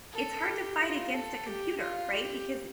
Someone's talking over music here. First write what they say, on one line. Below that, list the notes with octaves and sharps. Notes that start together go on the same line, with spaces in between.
it's hard to fight against a computer, right? Because it
A4
G4
F4
A4
G4
F4
G4